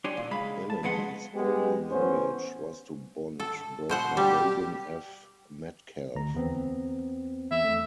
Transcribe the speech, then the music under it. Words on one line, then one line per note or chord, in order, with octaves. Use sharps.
Bellamy's only marriage was to bond broker Logan F. Metcalf.
D4 G4 C#5 G#5 C6
A#2
C#2 G#3 F5 B5
A5
F2 G#3 B4 F#5 C6
G#3 B3 G4
A1 B3 C#4 C5
A4
B2 C5 F#5
G3 G4
D2 A#5
E2 B3 C4
E2 E5
A3